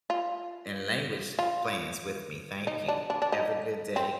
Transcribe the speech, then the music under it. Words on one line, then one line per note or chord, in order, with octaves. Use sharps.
and language plans with me. Thank you, have a good day.
F4
F4
D#4
D4
D4
D4
D#4
C4